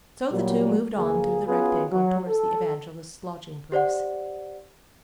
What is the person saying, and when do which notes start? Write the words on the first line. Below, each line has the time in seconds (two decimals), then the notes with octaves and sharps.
So the two moved on through the Rectangle toward the evangelist's lodging place.
0.31 A#2 F#3 G3
0.96 D2 A#3 G#4
1.47 B3 C#4 F4 F#4 G#4 B4
1.92 F#3
2.27 A4
3.72 G4 C5 D5 F#5